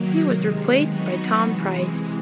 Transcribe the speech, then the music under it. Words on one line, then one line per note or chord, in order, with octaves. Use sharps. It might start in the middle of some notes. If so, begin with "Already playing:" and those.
He was replaced by Tom Pryce.
Already playing: D#3 F#3 A#3
C3 D#3 G#3
F#3 B3 D#4 F#4
C3 E3 G#3